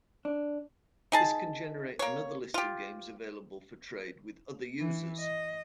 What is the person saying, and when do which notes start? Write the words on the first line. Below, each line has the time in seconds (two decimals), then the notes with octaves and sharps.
This can generate another list of games available for trade with other users.
0.25 D4
1.12 D#4 G#4 A5
1.99 A#3 C#5
2.54 F4 G4
4.80 E3
5.19 D#5